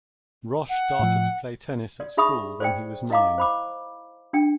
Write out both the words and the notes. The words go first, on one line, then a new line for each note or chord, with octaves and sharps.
Roche started to play tennis at school when he was nine.
F#5
A2 F3
D5
D#4 G#4 E5 B5 C#6 D#6
C5 D5 G5
E4 D#5 F5 A#5 D6
C5 B5 D6
D4 G5